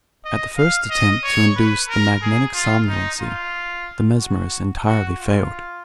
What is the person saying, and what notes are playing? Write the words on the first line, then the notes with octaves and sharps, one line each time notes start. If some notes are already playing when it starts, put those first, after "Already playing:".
At the first attempt to induce the magnetic somnolency, the mesmerist entirely failed.
D#5
F5
D#5
C#5
B4
A#4
G#4
F4
D#4
F4
F#4
F#4
F4